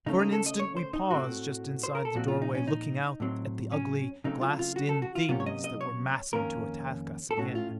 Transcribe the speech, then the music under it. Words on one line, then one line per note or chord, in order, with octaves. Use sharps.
For an instant we paused just inside the doorway, looking out at the ugly, glassed-in Things that were massing to attack us again.
C#3 A3 C#4 D#4
D#4
A4
D#5
C#5
C5
D#4
A2 A3 C4 F#4
C5
A#4
A4
A#2 F3 C4 F#4
F4
D#4
C#4
D#4
A2 F#3 C4
C#4
C#3 F#3 A3 C4 D#4
F4
F4
F#4
A4
F#4
F4
C3 F#3 A#3 C#4 F4
C#5
D#5
D#5
C#5
F2 D#3 A#3 C#4 A#4
A4
A2 A3 C#4 F#4
F4